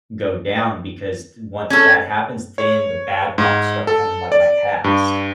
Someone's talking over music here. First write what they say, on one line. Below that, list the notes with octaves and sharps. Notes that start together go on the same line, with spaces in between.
go down because d once that happens, then the bad thoughts start coming like my past.
C#4 A4 G#6
C#5
G#2
A4
D5
G2